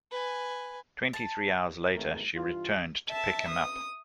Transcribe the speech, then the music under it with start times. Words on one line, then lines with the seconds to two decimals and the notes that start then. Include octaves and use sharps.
Twenty-three hours later, she returned to pick him up.
0.12 B4 G#5
1.13 A5
1.94 G#1 E2 C3 A3 A#4
2.35 G2 E3 F4
3.10 E5 A5
3.49 D#6